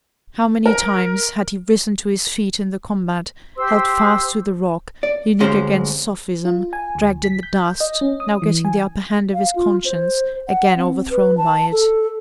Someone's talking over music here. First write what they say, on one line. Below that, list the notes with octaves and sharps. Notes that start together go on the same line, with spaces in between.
How many times had he risen to his feet in the combat, held fast to the rock, leaning against sophism, dragged in the dust, now getting the upper hand of his conscience, again overthrown by it!
A#4
G4 C5 C6 E6
D5
D2 G2 G#3 C#4 C5
F4
G#5
D2
B6
G6
D#5
C#4
D#6
E3
G#5
F5
F4
C5
F#5
C4
B4
A5
A4